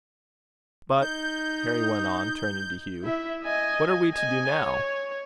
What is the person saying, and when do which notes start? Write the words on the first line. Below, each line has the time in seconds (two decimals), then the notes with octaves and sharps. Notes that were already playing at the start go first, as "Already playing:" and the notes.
But," Harry went on, turning to Hugh, "what are we to do now?
1.01 D#4 G6
3.04 E4 E5
3.44 D#5 G#5
4.13 D#5 G#5
4.52 C#5